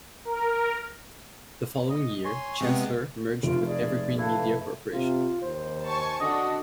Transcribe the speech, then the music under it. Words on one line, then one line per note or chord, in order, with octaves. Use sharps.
The following year, Chancellor merged with Evergreen Media Corporation.
A#4
D#5
C#5 G#5 C6
C3 G#3 B3 G5
F1 F4 D7
G#4 D5
A3 B4 E5 F5 G#6
C3 F4
D#2 C5
G#5 A5 C#6
D3 D4 F#4 D#5